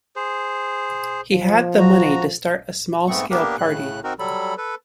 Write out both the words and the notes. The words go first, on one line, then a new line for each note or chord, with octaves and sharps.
He had the money to start a small-scale party.
G#4 C5
F3
F#4 A#5
G#2 A3 B3 C4 C#6
A#3 B3 D4 G4 A#4
A2 C#3 F#6
C4 D#4 F#4 A#4
F#3 G3 A4 B5
A4 B4